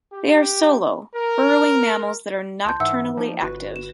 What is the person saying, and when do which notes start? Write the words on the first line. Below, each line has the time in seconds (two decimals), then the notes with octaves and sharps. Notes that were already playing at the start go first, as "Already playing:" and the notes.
They are solo, burrowing mammals that are nocturnally active.
0.13 G4
1.15 A#4
2.65 C#2 A5 C6 G6
2.80 G#2 E3 E5 F#5 E6
3.17 F3 A#3 D#4
3.42 G1 F#4 B4
3.76 E7